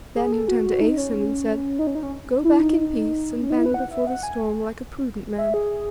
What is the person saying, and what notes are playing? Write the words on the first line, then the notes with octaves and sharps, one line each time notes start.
Then he turned to AEson, and said, 'Go back in peace, and bend before the storm like a prudent man.
G#4
A4
F#4
D#4
C#4
D#4
C#4
D#4
C#4
E4
D#4
C#4
D#4
E4
B4
F#5
E5
F#5
G#5
E5
G#4